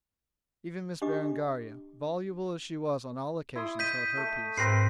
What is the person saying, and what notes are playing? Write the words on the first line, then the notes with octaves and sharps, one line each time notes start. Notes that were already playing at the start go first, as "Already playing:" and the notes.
Even Miss Berengaria, voluble as she was on all occasions, held her peace.
D4 G4 D#5 D6
E4 C6 D#6
D#5 G6 B6 D#7
A3
G#2 C4 A#4 B4 A#6 C7